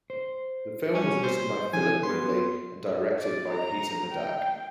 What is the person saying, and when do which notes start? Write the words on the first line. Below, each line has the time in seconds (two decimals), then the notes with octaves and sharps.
The film was written by Philip Ridley and directed by Peter Medak.
0.10 C5
0.94 G3 C#4
1.23 C5
1.73 D3 F3 E4 G#5
2.03 B3 B4 C6
3.21 D5
3.51 A#5
4.13 G5